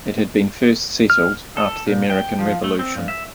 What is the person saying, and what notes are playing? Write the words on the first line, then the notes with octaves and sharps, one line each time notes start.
It had been first settled after the American Revolution.
F6
A4
A#2
G5
F3
A3
C4
G2
E5